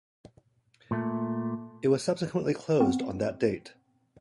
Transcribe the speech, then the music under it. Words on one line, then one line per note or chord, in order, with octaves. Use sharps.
It was subsequently closed on that date.
A#2 A3
B3 C4